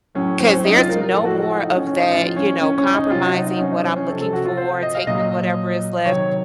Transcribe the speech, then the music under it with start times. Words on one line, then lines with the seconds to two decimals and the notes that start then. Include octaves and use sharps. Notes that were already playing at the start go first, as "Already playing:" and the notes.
'Cause there's no more of that, you know, compromising what I'm looking for, taking whatever is left,
0.15 A2 F#3 C#4
0.40 C4
0.47 C#4
0.53 C4
0.64 D#4
0.76 F4
0.89 A#4
1.01 A#4
1.13 A2 F3 A4
1.25 F#4
1.37 F#4
1.63 D#4
1.75 C#4
1.87 C#4
1.99 D#4
2.11 A2 F3 F4
2.36 C#4
2.61 C#4
2.78 C#4
2.94 D#4
3.10 C3 F#3 F4
3.23 F#4
3.34 D#4
3.47 D#4
3.59 C#4
3.71 D#4
3.84 C4
3.96 C#4
4.08 C3 F3 A4
4.20 A4
4.33 F#4
4.45 F4
4.57 C5
4.82 D#5
4.95 F5
5.07 A#2 F#3 D#5
6.05 C3 D#3 F#3 C#5